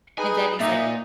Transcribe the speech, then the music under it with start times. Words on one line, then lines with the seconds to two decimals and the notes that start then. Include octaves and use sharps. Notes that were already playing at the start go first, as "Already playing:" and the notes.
And then he's like eh
0.18 D#4 G#4 B4 D#5 G#5
0.60 A#2 A#3 D#4 E5